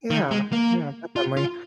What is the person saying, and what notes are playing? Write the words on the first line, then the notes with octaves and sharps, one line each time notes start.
Yeah, yeah, definitely.
D#3
G#3
A#3
F4
F4